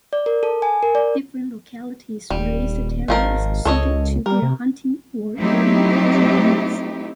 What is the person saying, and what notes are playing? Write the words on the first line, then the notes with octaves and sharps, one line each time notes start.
Different localities raised terriers suited to their hunting or vermin control needs.
D5
A#4
A4
G#5
A#4
D5
D#1 G3
G#1 D#3 F3 A#4
C#2 A4 C#5 D#5
G3 A#4
C3
F#3 A3 C4 D#4 E4 G4